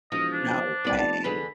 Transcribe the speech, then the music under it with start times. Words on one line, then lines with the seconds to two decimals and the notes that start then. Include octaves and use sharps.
No way.
0.12 E1 F3 D#5
0.32 D4
0.85 C2 B3 D5
0.99 F1 A5
1.24 D3 G#4 B4 B5